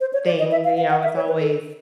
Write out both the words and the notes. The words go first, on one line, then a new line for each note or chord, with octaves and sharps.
thing, you know, it's always
C5
C#5
D5
D#5
E5
F5
F5
F#5
E5
C#5
B4
A4